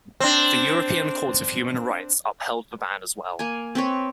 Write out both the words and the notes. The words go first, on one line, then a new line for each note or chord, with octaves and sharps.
The European Court of Human Rights upheld the ban as well.
C4 D4
A#3 G#5
C4 B4 C#5